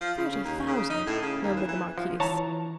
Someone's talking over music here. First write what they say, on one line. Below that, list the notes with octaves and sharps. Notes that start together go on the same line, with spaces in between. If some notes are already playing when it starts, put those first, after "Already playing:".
"Thirty thousand," murmured the marquise.
F3
C#3
C#3
D#2
C#3
D#4
A2
C#3
D#2
E3
E3
F3
E3 C#5 A5 A#5